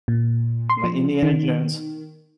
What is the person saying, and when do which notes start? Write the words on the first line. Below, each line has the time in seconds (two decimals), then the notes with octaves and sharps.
My Indiana Jones.
0.08 A#2
0.70 C6
0.84 F3
1.23 D#3